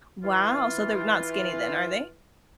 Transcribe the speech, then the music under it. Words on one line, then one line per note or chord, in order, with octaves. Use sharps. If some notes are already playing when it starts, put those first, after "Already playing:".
Wow, so, they're not skinny then, are they?
E3 F4